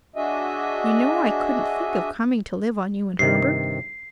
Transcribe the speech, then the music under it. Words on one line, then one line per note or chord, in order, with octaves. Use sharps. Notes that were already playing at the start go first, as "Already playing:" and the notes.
You know I couldn't think of coming to live on you and Herbert.
D4 F#4 G#4 D#5 E5
G2 C3 D#3 C7